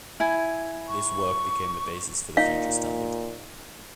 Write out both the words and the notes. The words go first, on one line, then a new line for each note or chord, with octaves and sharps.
This work became the basis for the future standard.
E4 G#5
C#6
A#2 D#4 F5